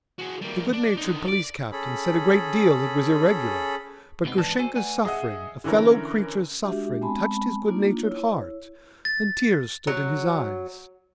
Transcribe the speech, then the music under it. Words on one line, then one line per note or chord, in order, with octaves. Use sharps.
The good-natured police captain said a great deal that was irregular, but Grushenka's suffering, a fellow creature's suffering, touched his good-natured heart, and tears stood in his eyes.
F#4 G#4
G3 A#3
D4
D3 D#4
D5
C#4 G#4 A4 B5
C#2 B2 A3 B3 C4 D#4
G#2 E3 B4 D5 A5
F#4 A4 C5 G#5
A3 B4 D5 F#5 G#5
G#4 D#5 E5 F#5
D3 E3 C#4 E4 A#4
G#3 D4 F#4 G4 E5
G#3 B3 C4 G#5 A5 B5
A#3 D4 D#4 F4
E4 C#5
A6
F#3